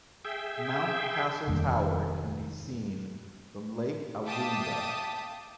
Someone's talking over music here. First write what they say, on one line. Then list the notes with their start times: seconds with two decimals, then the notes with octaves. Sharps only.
Mount Castle Tower can be seen from Lake Awoonga.
0.25 G#4 E5 G5
1.47 F1 D#2 G3 D4
4.27 E5 F5 G5 A5 D6 D#6